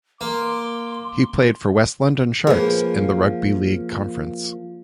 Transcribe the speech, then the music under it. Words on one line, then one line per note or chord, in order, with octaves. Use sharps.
He played for West London Sharks in the Rugby League Conference.
A#3 C6 D6
F3 A#3 G#4 B4